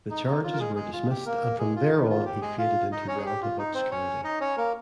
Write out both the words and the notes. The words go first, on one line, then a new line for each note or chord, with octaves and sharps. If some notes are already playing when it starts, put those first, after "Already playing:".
The charges were dismissed and from thereon he faded into relative obscurity.
D#4
D#4
F4
A#4
G#3 G#4
G#3 G#4
F4
G4
A#3 A#4
G#3 G#4
F4
D#4
F4
G4
G#3 G#4
F4 F5
D#4 D#5
C#4 C#5
G#4
G4
F4
D#4
C4 C5
C#4 C#5
D#4 D#5
C#4 C#5
A#3 A#4